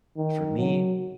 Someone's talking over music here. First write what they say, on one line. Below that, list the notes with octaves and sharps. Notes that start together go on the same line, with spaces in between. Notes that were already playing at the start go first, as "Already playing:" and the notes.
For me,
D#3
F#3